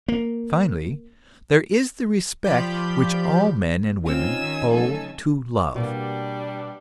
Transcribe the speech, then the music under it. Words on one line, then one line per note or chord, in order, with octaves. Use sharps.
And finally, there is the respect which all men and women owe to love.
A#3
F3 F4 G4 D5 B5 G6
C4 C#4 D#4 F4 G#5 E6
D#3
C#3 F#3 A3 A4 E6
B2 G3 A#3 D4